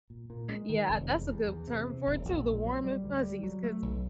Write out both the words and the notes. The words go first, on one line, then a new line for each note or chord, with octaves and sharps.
Yeah, that's a good term for it, too, the warm and fuzzies 'cause
A#2
A#2
G#3
D#3
F1
E2
E2
E2
C3
C3
E1
A#1
A#2
F#3
G3
D2
G3
F#3
A3
B1